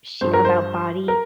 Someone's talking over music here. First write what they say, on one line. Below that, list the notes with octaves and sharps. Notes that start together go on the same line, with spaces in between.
sh about body
G2 F3 C5
A#4
C5
A#4